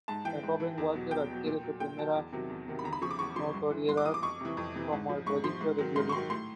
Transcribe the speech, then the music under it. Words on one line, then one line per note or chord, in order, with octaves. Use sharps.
Many of the horses and donkeys bred are passed on to farmers and breeders.
G#2 A5
E3 G5
G#2
E3
E2
B2 F#3
E2 G5
B2 F#3
A#2
F#3
A#2 G5
F#3 A5
E2
C3 D#3 F#3
E2
C3 D#3 F#3
B5
E2 A#5
B5
C#3 F3 C#6
D6
E2 C#6
C#3 F3 C6
G2
E3
G2 C6
D6
E3 D#6
D6
F2 C#6
C3 E3
F2
C3 E3
G#2
F3
G#2 C#6
F3 C6
G#2
D#3 F#3
G#2 C6
C#6
D#3 F#3 C6
A2 C6